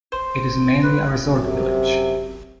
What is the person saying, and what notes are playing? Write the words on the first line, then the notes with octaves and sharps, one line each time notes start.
It is mainly a resort village.
C5
B4
F#2 C3